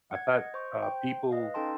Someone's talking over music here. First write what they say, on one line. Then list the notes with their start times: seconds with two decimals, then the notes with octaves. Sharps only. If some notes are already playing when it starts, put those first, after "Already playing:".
I thought, uh, people
0.11 F#5 G#6
0.27 D#5
0.54 C5 C#6
0.83 C5 G5
1.31 B4 D#5 F5
1.54 C#4 D#4 A4 G5 A5 C6